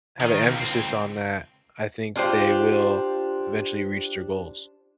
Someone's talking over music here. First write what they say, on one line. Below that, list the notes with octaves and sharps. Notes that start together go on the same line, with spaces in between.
have an emphasis on that, I think they will eventually reach their goals.
D#3
C#2
C#2 C4
D4 F4 G4 C5